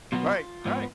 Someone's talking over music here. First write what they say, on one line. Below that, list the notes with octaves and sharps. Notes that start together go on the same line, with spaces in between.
Right. Right.
B2 F#3 B3 F4
G#2 F3 B3